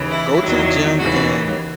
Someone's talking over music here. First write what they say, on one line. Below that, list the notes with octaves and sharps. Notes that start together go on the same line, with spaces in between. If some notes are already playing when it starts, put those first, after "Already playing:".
"Go to the gym and
Already playing: D#2 C#3 E3
E4
E2 D#3 F#3
D#2 C#3 E3 F#4